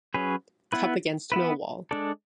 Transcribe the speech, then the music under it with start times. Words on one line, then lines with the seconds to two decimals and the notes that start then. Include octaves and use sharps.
Cup against Millwall.
0.14 F#3 C#4 G#4 B4
0.73 B3 E4 B4
1.32 B3 E4 B4
1.91 G#3 D4 A4 D5